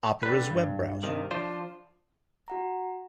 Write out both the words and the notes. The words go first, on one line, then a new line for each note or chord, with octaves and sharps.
Opera's web browser.
D3 G3 B4
G2
G2 C3 D#3
F3 D4 F4 C5
F#4 F#5 A#5